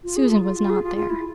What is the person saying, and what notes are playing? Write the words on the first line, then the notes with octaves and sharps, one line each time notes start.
Susan was not there.
F4
G#4
F4
F4
F4
G#4
F4
F4
E4